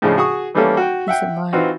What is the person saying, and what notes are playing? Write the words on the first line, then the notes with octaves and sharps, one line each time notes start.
Peace of mind.
A2 C#3 F3 G#3 D4
F#4 G#4 C#6 D#6
E3 G3 A3 A#3 C#4 A4
F#4 G5
E5 F#5 G5
E3 C4 D#4 F4 F#4